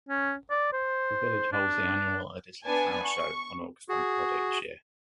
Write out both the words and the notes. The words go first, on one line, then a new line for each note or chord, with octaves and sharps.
The village holds the annual Eardisley Flower Show on August Bank Holiday each year.
C#4
D5
C5
D4
B3 D4 G#5 A5
C#6
F#4 G#4